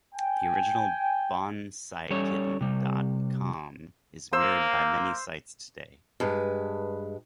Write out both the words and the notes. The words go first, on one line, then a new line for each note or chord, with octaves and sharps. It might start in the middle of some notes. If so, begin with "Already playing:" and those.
The original bonsaikitten dot com is mirrored by many sites today.
G5 G#5
G3 C#4 A4 C#5
C3 G3
A#3 C5 E6
G2 G#3 B4